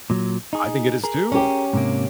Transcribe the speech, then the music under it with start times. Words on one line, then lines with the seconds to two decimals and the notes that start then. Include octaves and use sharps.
I think it is too.
0.10 A#2 F#3
0.53 D#4 G#4
1.04 G#4 A#4
1.32 C#4 G4
1.73 G#2 C3 A#3